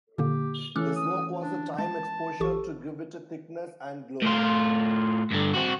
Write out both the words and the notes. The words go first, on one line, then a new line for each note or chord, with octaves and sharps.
The smoke was a time exposure to give it a thickness and glow.
A#2 D3 A#3 G4
E3 A3 C#4 A4 D6 F6 F#6
D#6
D4
G#3 A5
A1 G4 A4 C#6
A2 F4
G2 D3
C4 F#4